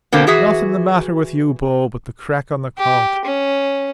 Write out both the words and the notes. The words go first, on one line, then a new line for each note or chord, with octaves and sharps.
"Nothin' the matter with you, Bo, but the crack on the conk."
B2 D3 A#3 C4
E3 F#4 G#4 E5
G4
C#4